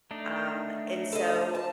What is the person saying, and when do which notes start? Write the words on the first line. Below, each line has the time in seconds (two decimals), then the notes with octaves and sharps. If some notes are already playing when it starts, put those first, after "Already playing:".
Um, and so
0.11 A3 D4 D#4
1.12 A4 D#5
1.55 A5